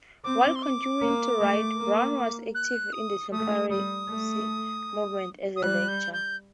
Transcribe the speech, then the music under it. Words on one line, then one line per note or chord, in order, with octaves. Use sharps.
While continuing to write, Brown was active in the Temperance movement as a lecturer.
C4 D6
C6
D6
A#3
A3
A#3
F#6
D#6
A3 D#6
G3 D#6
A3
D#6
G3 F#6
G6
G6